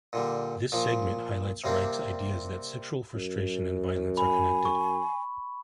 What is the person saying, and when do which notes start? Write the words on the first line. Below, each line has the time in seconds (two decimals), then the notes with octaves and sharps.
This segment highlights Reich's ideas that sexual frustration and violence are connected.
0.13 A#2 D3 G3
0.72 A#2 F3
1.64 C3 G3 A#3 C4 D4
3.15 F#2
4.17 G#5 B5
4.65 C#6